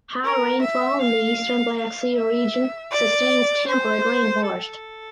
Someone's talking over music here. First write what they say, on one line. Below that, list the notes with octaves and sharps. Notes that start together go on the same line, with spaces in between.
High rainfall in the eastern Black Sea Region sustains temperate rainforest.
A#4
E5
F5
F5
E5
D5
C5
A4